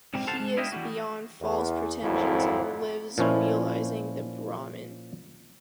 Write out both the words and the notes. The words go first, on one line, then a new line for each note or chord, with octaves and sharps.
He is beyond false pretensions and lives realizing the Brahman.
C#2 G#2 C3 G3 C4
A4 C5 F5 F#5 A5
G#3
D4 E4 F4 D#5 E5 G5
E3 G3 F#4
E2
G#1 F2 F#3 E4
A#2 F3 C#4 E4